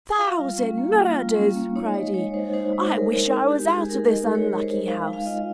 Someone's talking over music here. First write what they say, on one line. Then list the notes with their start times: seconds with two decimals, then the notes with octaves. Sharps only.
"Thousand murders!" cried he; "I wish I was out of this unlucky house."
0.18 F4 F5
0.39 G3
0.58 C#4
0.78 A#3
0.97 F4
1.17 G3
1.36 C#4
1.56 A#3
1.76 D#4 C#5
1.94 G#3 D#5
2.14 G#3 C#5
2.34 D#4 C5
2.53 D#4 C5
2.73 G#3
2.92 G#3 A#4
3.12 D#4
3.31 D#4 G#4
3.50 G#3 G4
3.70 G#3 G#4
3.89 D#4 A#4
4.09 D#4 D#5
4.29 G#3
4.35 C#5
4.48 G#3
4.62 C5
4.68 D#4
4.88 G#3 F5
5.07 G#3
5.13 F5
5.26 F4 D#5